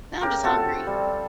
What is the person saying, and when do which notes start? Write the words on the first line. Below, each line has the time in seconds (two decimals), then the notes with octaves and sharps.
Now I'm just hungry.
0.21 C#3 G4 A#4
0.43 C3 F4 F#4 A4
0.87 G3